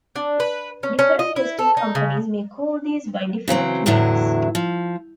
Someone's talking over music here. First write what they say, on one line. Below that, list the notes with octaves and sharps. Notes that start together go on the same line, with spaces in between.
Different testing companies may call these by different names.
D4
B4
C#4
C#4
D#5
E4
A4
D#4
C#3
C#3 E3 F#3 C4
E2 A2 D3 F#3 E4
F3